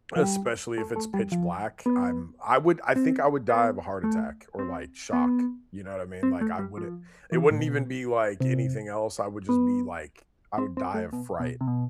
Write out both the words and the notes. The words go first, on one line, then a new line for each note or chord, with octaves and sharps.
especially if it's pitch black. I'm I would I think I would die of a heart attack or, like, shock. You know what I mean? Like, I wouldn't it wouldn't even be like anything else, I would just be, like, I would die of fright
F3
G3
A3
A3
G3
F3
B3
C4
B3
A3
C4
B3
C4
A3
G3
F3
E3
A2
B2
C3
B3
C4
C4
A3
B2
B2
C3
B2